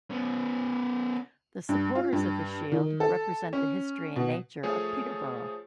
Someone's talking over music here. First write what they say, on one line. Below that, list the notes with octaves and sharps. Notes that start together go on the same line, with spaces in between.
The supporters of the shield represent the history and nature of Peterborough.
B3 C#4
G2
F4
G2
D#3
A4
C#4
B2
F3 A3 G#4 C#5